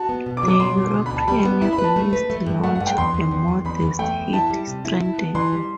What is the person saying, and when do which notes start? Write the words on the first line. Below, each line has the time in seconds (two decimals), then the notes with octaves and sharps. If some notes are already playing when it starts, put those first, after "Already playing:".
The European release launched a modest hit, "Stranded".
Already playing: F#4 A5
0.09 B3
0.26 B2
0.37 D6
0.43 F#3
0.48 D6
0.60 B2 C6
0.78 B2
0.94 D3
1.06 D2 B5
1.16 A5
1.28 G3 B5
1.45 B3
1.61 E4 B5
1.73 B5
1.78 B4
1.84 A5
1.96 A3
2.13 B4
2.30 A3
2.46 G2
2.63 A3 F#5
2.75 F#5
2.80 G2
2.87 G5
2.98 E2 C6
3.14 E2
3.31 E2
3.48 E2
3.65 E2 B5
3.82 E2
3.99 A3 G5
4.17 E2
4.33 E4 A5
4.50 G3
4.67 C3
4.85 E4
5.01 E4
5.18 B3
5.35 E3 C6
5.53 G3